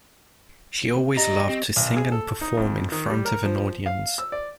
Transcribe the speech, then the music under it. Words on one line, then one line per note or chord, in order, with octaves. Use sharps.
She always loved to sing and perform in front of an audience.
G4 D5 D#5 A#5 A#6
C4
B1
G#4
A4
D#4
F2
D#3
G3
A#4
F3
F5
E6
D5